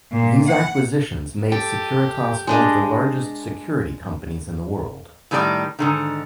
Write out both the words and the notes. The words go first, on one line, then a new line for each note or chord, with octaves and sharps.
These acquisitions made Securitas one of the largest security companies in the world.
A#2
F#5
G4 A4
G#3 D4 D#5
A2 D#3 G3 D4 D5
G#2 D3 D#3